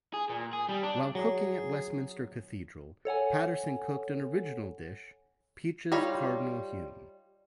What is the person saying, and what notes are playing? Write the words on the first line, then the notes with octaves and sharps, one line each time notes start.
While cooking at Westminster Cathedral, Paterson cooked an original dish, "Peaches Cardinal Hume".
G#4
A#2
G#4
G3
D4
F#3 G#4
A4 C#5 F#5 G#5
G3 D#4 F4 C#5 B5